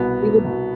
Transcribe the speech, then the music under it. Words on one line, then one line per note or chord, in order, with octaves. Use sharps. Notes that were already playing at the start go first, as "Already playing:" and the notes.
we would
Already playing: C2 B2 B3
C2 B2